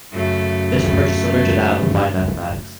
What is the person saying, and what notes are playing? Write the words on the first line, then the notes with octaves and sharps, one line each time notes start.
This approach is similar to that of applied mathematics.
F#2 C#3 A3